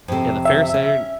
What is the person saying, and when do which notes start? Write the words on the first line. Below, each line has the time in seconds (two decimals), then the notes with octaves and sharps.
Yeah, the fair sar
0.08 F2 C3
0.45 E5
0.74 C#4